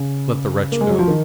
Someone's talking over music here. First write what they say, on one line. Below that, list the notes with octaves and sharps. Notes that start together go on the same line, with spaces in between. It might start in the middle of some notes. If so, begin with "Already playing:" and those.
Let the wretch go.
Already playing: C#3
A#3
G#3
F#3
F3
D#3